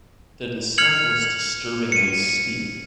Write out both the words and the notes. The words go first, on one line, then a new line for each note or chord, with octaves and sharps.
The descent was disturbingly steep.
F6 G#6 C#7 F7 F#7
C#7 D#7